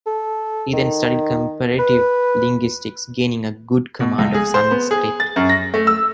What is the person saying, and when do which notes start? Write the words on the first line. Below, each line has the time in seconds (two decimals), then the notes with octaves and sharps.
He then studied comparative linguistics, gaining a good command of Sanskrit.
0.06 A4
0.73 D#3
1.79 B4
4.00 B2
4.18 C#2
4.35 G#4
4.54 C5
4.71 B3
4.91 G#4
5.20 A6
5.36 F#2
5.49 A#6
5.74 A3
5.87 E6